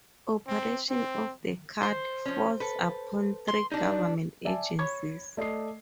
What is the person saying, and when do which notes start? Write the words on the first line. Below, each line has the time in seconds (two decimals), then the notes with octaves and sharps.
Operation of the cut falls upon three government agencies.
0.47 C4
0.90 C4
1.83 C5
2.26 F3 C#4
2.60 A4 B4
3.49 C6
3.72 G3 D4 D#4
4.45 D5 E5 G#5 A5
4.79 C#5 B5 C#6 G#6
5.37 A3 D5 D#5 D#6 C7